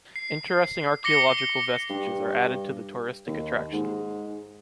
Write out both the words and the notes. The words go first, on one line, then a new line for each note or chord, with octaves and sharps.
Interesting archeological vestiges are added to the touristic attraction.
C7
D6 A#6 C#7 G7
G2
D#2
G#2